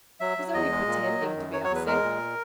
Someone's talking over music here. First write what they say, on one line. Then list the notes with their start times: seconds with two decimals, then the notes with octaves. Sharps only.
She's only pretending to be upset.
0.20 F#3 E5
0.38 F#3
0.54 E2 D#5
0.71 G#3
0.87 A#2
1.03 F#3
1.21 D#3
1.36 F#2
1.53 F#3 C#5
1.65 C#5
1.71 E2
1.76 B4
1.86 G#3 A#4
2.03 A#2